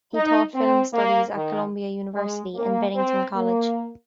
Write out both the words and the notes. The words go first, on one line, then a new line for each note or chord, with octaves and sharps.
He taught film studies at Columbia University and Bennington College.
D#4
C4
A#3
D#3
G#3
A#3
C4
A#3